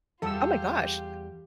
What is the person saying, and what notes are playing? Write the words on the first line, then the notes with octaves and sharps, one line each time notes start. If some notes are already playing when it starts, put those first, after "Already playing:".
Oh my gosh!
E2 G3 F4 G4 A4 F#5 E6